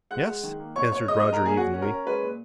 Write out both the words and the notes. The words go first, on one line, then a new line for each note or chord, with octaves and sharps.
"Yes," answered Roger evenly.
G#3 F#5 F#6
G#3
D#3
A#3
B2 C#5 C#6
B2 C#5 C#6
G#3 D#5 D#6
G#3 D#5 D#6
A#4 A#5
A#2 G#4 G#5
C#4 F#4 F#5
C#4
A#4
C#4
G#3 B4
A#2